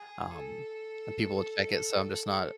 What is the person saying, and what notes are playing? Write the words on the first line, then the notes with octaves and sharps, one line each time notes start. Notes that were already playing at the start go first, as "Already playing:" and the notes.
um, and people would check it, so I'm just not
Already playing: G#4
A4